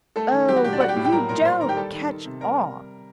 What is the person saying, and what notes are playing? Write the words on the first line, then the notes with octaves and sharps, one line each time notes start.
'Oh, but you don't catch on.
A3 A4
D#3
F#3 G4
F#4
A#2 G4
D4 D5
G3 F#4 F#5
G4 G5
A2
G4 G5
F#3 A#4 A#5
A#2 A#4 A#5
G3 C5 C6
D#3 A#4 A#5
G4 G5
G3 A4 A5
D#3
D#3
C3
G3 A#4 A#5